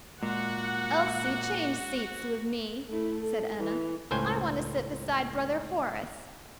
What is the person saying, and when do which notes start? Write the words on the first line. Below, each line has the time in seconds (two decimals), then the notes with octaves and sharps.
"Elsie, change seats with me," said Enna; "I want to sit beside Brother Horace."
0.23 A#2 G#3 F#4 F#5
2.89 A3 E4
3.20 A4
3.59 E3
4.11 C#2 A2 C5 G5 G#5